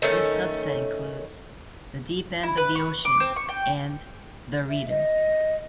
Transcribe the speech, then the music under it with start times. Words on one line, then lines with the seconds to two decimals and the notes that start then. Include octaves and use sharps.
This subset includes "The Deep End of the Ocean" and "The Reader".
0.02 D#3 A3 C#4
2.43 E4
2.57 B4
2.75 C#6
3.05 D6
3.20 C4
3.36 C#6
3.49 G5
4.69 E5
4.89 D#5